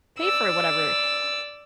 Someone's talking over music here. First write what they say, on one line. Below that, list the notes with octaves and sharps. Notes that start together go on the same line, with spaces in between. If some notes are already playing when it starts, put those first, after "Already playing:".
pay for whatever
D5 E6